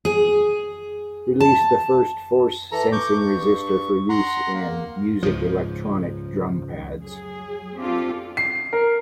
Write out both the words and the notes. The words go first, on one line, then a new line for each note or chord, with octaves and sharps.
Released the first force-sensing resistor for use in music electronic drum pads.
G#4
A5
E3 A4 A#5
C#6 D6 G6
G2 C#6
F#5 A#5 C6
A#3
C#2 G#2 F3
F#3 G#4
C4 D4 F4 G4 A4
C7
A#4